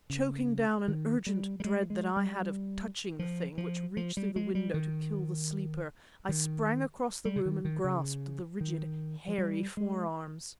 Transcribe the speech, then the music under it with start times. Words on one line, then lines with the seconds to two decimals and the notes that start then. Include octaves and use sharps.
Choking down an urgent dread that I had of touching the thing which reached through the window to kill the sleeper, I sprang across the room and grasped the rigid, hairy forearms.
0.10 C#3
0.88 D#3
1.27 G3
1.60 G3
1.65 G#3
1.90 G#3
2.17 G3
3.19 F3
3.58 F3
3.97 F3
4.17 G3
4.36 G#3
4.55 G3
4.74 D#3
6.29 D#3
7.25 G3
7.36 C#3
7.46 D#3
7.65 D#3
7.84 C#3
8.61 D#3
9.28 F3
9.38 G3
9.77 G#3